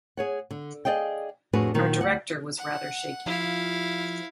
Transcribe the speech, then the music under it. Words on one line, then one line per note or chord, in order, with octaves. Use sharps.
Our director was rather shaky.
G#4 C#5 F#5
D3
G#4 D5 D#5 F5 G5
F2 A2 D4 F#4 G#4 B4
A#2 D#3 F#3 B3
D2 F#5
F#5
F3 E4 F4 G4 F5